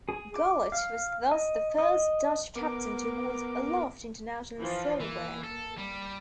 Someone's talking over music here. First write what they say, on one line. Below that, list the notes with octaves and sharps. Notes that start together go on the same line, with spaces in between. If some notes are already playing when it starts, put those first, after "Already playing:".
Gullit was thus the first Dutch captain to hold aloft international silverware.
G#4
D6
F5
D#5
D#5
B3 A#4 D6
E3 F3 F4
E3 A#3
A4
G3